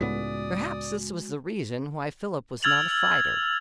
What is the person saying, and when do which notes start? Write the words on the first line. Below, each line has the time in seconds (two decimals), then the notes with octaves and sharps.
Perhaps this was the reason why Philip was not a fighter.
0.01 C#2 A2 G#3 B3 F#4 D5 D#6
2.63 E6 F6 G#6 A6 F7 F#7